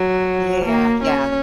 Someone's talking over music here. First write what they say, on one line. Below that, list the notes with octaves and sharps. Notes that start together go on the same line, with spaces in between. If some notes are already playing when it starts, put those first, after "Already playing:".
Yeah, yeah.
Already playing: F#3
A#3
C#4